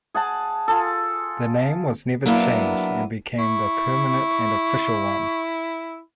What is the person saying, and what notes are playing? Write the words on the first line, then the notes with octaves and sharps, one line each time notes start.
The name was never changed, and became the permanent and official one.
G#4 F#5 A5
F4 G#4 A4
F#3 A#3 B3 D4 E4
E4 C#6